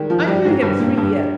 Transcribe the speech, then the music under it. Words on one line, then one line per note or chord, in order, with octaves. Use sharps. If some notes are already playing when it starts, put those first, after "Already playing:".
I knew him three years.
Already playing: D#3 G3 G#3
F3
G3
G#2
G2
A#2
G2